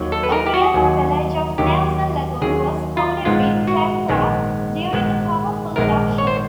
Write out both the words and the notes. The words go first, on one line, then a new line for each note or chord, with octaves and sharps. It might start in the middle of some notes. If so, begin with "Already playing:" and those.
The nearby village of Nelson Lagoon was coated with tephra during the powerful eruption.
Already playing: D#2 D#3 F#3
A4
B4
A#4
G4
F#4
D#2 D#3 F#3
D#2 D#3 F#3 G4
D#2 D#3 F#3 G#4
F4
A#1 G#2 D#3 G#3 B3 F4
F#4
A#1 G#2 D#3 G#3 B3
A#1 G#2 D#3 G#3 B3
A#1 G#2 D#3 G#3 B3 A#4
C#5
C5